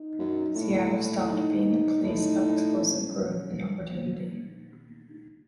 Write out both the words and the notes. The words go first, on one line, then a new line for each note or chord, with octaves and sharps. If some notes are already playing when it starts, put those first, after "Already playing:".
Seattle stopped being a place of explosive growth and opportunity.
Already playing: D#4
F#2
A2 E4
D#4
A2 D#4
C#4